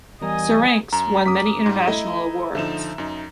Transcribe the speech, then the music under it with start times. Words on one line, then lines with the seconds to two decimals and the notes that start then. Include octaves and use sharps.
"Syrinx" won many international awards.
0.21 E2 G3 A#4 D#5 G#5
0.92 F#2 A#5
1.26 F#2 D6 D#6 F6 B6
1.66 G#2 G3
1.88 A3 E4 D#5
2.55 D3 F3 D#4 E5 E7
2.98 F#2 D#4